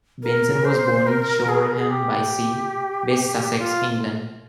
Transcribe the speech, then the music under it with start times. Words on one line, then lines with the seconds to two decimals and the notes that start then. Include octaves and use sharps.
Benson was born in Shoreham-by-Sea, West Sussex, England.
0.23 A#4
0.65 C5
1.07 A#4
1.49 G#4
1.62 A#4
1.76 G#4
1.90 G4
3.59 F4